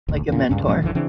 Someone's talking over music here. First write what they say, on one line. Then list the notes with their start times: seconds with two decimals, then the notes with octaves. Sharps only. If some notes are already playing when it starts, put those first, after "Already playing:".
Like a mentor.
0.08 D#1 G#1 D2
0.28 E2 A#2
0.49 C#2 G2 C#4
0.65 E1 A2 F#3 C#4
0.81 G#1 F2 D3 E3
0.95 C#3 E3 C4 D4